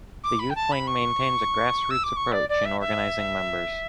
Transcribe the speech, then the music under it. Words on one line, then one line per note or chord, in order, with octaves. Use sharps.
The youth wing maintains a grassroots approach in organising members.
D6
B5
G5
A5
B5
C#6
E6
D6
C#6
D5
D5
E5
E5